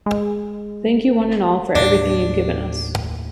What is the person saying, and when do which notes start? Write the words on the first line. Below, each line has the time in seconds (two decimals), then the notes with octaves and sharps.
Thank you one and all for everything you've given us.
0.06 G#3
1.75 D#2 A2 D4